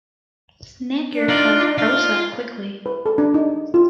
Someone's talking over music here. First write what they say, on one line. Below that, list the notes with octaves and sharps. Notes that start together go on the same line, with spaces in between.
Snegurka grows up quickly.
D4
D#4 F4 D5
F4
B4
A4
D4
D#4
F4